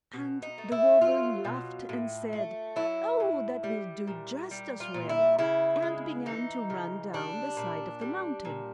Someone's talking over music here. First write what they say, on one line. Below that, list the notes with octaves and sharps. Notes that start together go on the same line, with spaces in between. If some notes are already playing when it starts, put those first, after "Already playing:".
And the wolverine laughed and said: 'Oh, that will do just as well'; and began to run down the side of the mountain.
B2
D#4
A3
E4
F#3 F4
B2
A2
A3
F#3 E4
A2
G3
A#2
G3
F4
A#2
E4
C#3 E4
G#3
E3 D#4
C#3
G3 D4
A#2
G3
A#2